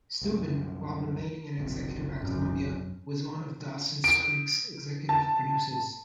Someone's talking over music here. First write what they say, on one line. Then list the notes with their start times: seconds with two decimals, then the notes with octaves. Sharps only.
Stupin, while remaining an executive at Columbia, was one of "Dawson's Creek's" executive producers.
0.21 C2 F#2
1.58 F#1 B1 C3
2.19 F#2
4.04 D7
5.09 A5